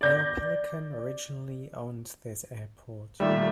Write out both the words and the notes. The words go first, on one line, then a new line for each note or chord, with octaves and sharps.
Aeropelican originally owned this airport.
D5 G6 A#6
A#2 D#3 G3 A3 E5